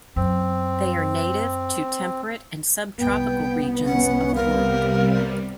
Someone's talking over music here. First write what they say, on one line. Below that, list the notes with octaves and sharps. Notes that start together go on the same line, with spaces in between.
They are native to temperate and subtropical regions of the world.
F#2 C4
C2 B3 G5
C#4 F#5
C3 G3 A#4 F5